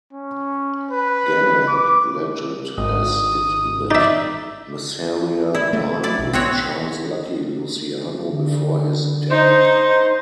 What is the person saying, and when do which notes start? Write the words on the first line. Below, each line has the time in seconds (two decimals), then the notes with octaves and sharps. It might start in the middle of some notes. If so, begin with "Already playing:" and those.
Gangland legend has it that Masseria dined with Charles "Lucky" Luciano before his death.
0.13 C#4
0.91 B4
1.68 D6
2.78 G#1 D#6
3.91 D#4 D5 E5
5.55 E4
5.73 A3
6.03 E4 D5
6.19 B1
6.33 B3 C4 F#4 C#5
8.28 D3
9.30 D#4 C5